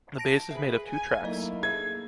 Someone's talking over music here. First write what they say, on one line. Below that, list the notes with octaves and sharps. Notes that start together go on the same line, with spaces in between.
The base is made of two tracks.
A5 A#6 D7
G#4 B4 E5
G#5
F#3 A3 A#3 D#4 E4 D#5
G#4 E5 G#6